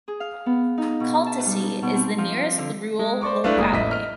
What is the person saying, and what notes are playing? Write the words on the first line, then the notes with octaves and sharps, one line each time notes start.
Kaltasy is the nearest rural locality.
G#4
F5
B3
D#4
B2
A5
G3
B2
C4
F3
D3
G#3
C5 D5 C#6 D6
A3 D4 E4 B4 F5
F#1 G#3 A#3 D#6
A1 D#5 E5 B6
D#5 F6